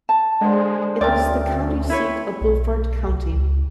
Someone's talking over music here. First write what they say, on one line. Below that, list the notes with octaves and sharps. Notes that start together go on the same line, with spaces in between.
It is the county seat of Beaufort County.
A5
D3 G#3 C5
D2 C#3 A3 C4 A#4 D5
E4 B4 C#5
B1
C2
C#2